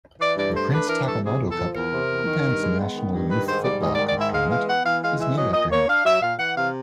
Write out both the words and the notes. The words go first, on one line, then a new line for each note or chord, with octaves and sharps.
The Prince Takamado Cup, Japan's national youth football cup tournament, is named after him.
E3 D5
G2 D5
A3 C5
D4 B4
E3 A#4
G2 A4
C3 G#4
E2
A4
F3
E2 A#4
C3
E2
D#3
G2
G#3
B3
D#3
G2
D#3 B4
G#2 C5
G3 D5
G#2 D#5
D5
D#3
D5
G#2 E5
G#3 F5
E3 F5
B3 F#5
E3 F5
G#3 F5
E3 E5
F#3 D#5
A#2 D#5
A#3 C#5
D4 F5
F#3 E5
A#2 F5
E3 F#5
C3 F5